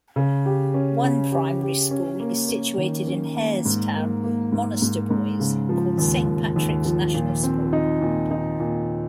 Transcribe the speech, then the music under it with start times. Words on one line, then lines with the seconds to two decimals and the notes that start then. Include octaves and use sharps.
One primary school is situated in Harestown, Monasterboice called Saint Patrick's National School.
0.16 C#3
0.46 G4
0.74 C#4
1.03 C#3
1.32 G4
1.62 G4
1.91 C#4
2.20 A#3
2.48 C#4
2.78 D#3
3.07 C#4
3.36 A#3
3.65 G#2
3.94 A#3
4.24 A#3
4.52 G#2
4.82 G#2
5.10 G#2
5.40 C#3
5.69 F3
5.98 D#2
6.27 D#2
6.56 D#2
6.85 F3
7.14 A#2
7.43 C4
7.73 D#4
8.01 A#2
8.31 D#4
8.59 A#2